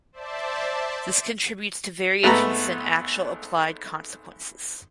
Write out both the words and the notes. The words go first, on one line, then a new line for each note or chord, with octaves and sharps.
This contributes to variations in actual applied consequences.
C5 D5 E5 A5
G#1 A3 B3 A4 B4 A#5